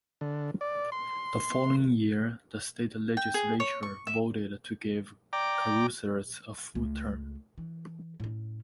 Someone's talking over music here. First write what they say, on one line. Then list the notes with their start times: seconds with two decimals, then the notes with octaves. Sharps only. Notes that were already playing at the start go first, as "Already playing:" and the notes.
The following year, the state legislature voted to give Caruthers a full term.
0.21 D3
0.61 D5
0.92 C6
3.17 G5
3.34 G#4
3.60 C#5
3.83 C#6
4.07 E5
5.33 D5 G5 A#5 D6
6.75 C#2 A3
7.58 E3
8.20 A2 C#4